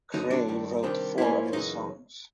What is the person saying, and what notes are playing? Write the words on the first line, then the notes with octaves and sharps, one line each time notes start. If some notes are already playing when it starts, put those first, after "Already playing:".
Cray wrote four of its songs.
G2 D3 F#3 D#4
D4
G2 D#3 G3
C3 D#3 G3 D4
G#2 F3 A#3 C#4 E4
F#2 C#3 E3 D#4